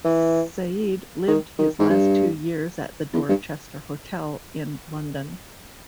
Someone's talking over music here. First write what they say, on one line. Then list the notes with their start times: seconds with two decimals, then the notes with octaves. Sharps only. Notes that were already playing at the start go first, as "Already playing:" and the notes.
Said lived his last two years at the Dorchester Hotel in London.
0.04 E3
1.28 D#3
1.59 D#3
1.79 G#2
1.90 G2
3.14 E2
3.29 G2